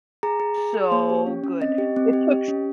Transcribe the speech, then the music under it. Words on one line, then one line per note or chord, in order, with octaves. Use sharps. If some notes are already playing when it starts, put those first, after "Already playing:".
so good. It took
G#4 A#5
G#4
G#4
G#4
A#3 C#5
G4
C#4
C#4
C4 D#5
G4
C4
G4
G4
C#4